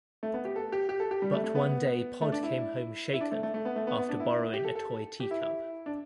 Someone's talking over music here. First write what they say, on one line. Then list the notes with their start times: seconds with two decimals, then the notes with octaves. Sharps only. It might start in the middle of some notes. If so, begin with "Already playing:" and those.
But one day Pod came home shaken after borrowing a toy tea cup.
0.23 A3
0.34 B3
0.45 G4
0.56 A4
0.72 G4
0.89 G4
1.00 A4
1.11 G4
1.22 G3
1.33 A3
1.44 A3
1.55 B3
2.21 A3
2.32 D4
2.43 E4
3.13 E4
3.21 D4
3.31 A3
3.43 A3
3.54 A3
3.65 B3
3.76 A3
3.87 B3
3.98 B3
4.09 D4
4.20 E4
4.53 G4
4.65 A4
4.75 A4
5.20 G4
5.31 E4
5.42 E4
5.86 D4